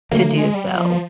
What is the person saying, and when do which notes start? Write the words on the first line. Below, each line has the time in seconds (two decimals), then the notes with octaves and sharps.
to do so."
0.11 D3 F#3 A3 A#3
0.33 G#3
0.54 G3
0.67 F#3
0.76 F3